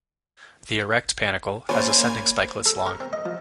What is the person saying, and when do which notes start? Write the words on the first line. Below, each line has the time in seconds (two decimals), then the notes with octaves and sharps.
The erect panicle has ascending spikelets long.
1.69 A#3 C#4 C5 D5 G#5 B5 G#6
2.66 A4
2.86 A#4
3.00 C4
3.13 D#5
3.26 F3